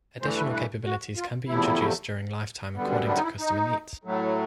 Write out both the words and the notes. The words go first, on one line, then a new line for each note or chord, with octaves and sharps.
Additional capabilities can be introduced during lifetime according to customer needs.
G2 E3 A3 C5
B4
B4
F#4
F4
E2 C3 F3 A3 E4
F#2 D3 G3 B3
D4
D4
D#4
E4
D#4
A2 F#3 A3